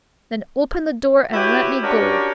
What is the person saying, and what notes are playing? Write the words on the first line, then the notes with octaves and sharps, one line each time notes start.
"Then open the door and let me go."
E4 F#4 G4 B4 C#5
C#4 D4 F#4 G4 A#4